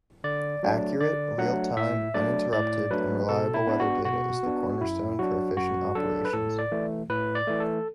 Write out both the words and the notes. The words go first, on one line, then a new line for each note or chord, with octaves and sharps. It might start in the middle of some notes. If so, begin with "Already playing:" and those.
Accurate, real-time, uninterrupted and reliable weather data is the cornerstone for efficient operations.
D3 D5
F#3 A3 D4
D3 D5
F#3 A3 D4 F#5
A2 E5
F#3 A3 D4 D5
A2 D5
F#3 A3 D4 B4
B2 A4
E4
B3 D4
F#4
B2 F#4
B3 D4
F#2 E4
F#3 D4 F#4
F#2 F#4
F#3 D4 A4
B4
A2 A4
D5
E3 A3
A2 B4
D5
E3 A3
A4